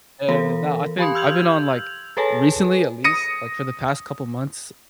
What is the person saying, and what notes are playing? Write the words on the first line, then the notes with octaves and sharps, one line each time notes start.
Eh, no, I've been I've been on, like recently at least, like, for the past couple months,
E3 B3 A4 A#4
G4 F5 B5 C6 D#6
E6 F6 G6 G#6 F7 F#7
G#4 A4 B4 C#5 G#5 A5
D#6 A#6 C#7 D#7